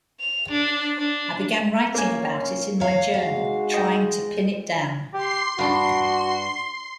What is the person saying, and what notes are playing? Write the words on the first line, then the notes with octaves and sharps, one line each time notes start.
I began writing about it in my journal, trying to pin it down.
F7
D4
D4
A#3 C#4 G#5
C#5 F5
G#3 F#4 F5
D#5 G5
G4 C6 C7
G2 D4 F#4